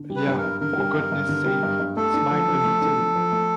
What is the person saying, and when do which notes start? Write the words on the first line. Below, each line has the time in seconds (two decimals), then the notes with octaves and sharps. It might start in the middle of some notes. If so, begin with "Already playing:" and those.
Liah, for goodness sake smile a little.
Already playing: D3
0.10 G3
0.16 B4
0.27 G2
0.38 A#4
0.44 G2
0.61 D3 A#4
0.77 G3
0.95 G2
1.12 G2
1.29 D3
1.45 G3
1.63 G2
1.80 G2
1.96 A3 A4
2.14 D4
2.31 F3
2.48 F3
2.65 A3
2.82 D4
2.99 F3
3.15 F3
3.32 A3